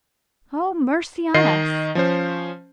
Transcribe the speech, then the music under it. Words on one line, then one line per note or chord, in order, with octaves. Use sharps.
Oh, mercy on us!
D#3 D#5 C7
F3 C#4 C5